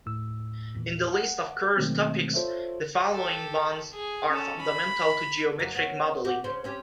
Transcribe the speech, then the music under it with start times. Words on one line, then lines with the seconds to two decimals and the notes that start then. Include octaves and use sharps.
In the list of curves topics, the following ones are fundamental to geometric modelling.
0.06 D#2 A2 E6
0.75 E2 A#2 E3
1.13 F#5
1.77 B2 D#3 F#3 G#3 A3 C4
2.34 F4 A4 C5 C#5 E5
3.12 G4 A4
3.94 G#4
4.28 C#4 A4
4.62 B5
5.59 F#2 A#3
5.75 B3 C#4
6.24 F#4 G4
6.44 C#3 C5
6.64 C4 C#4 G4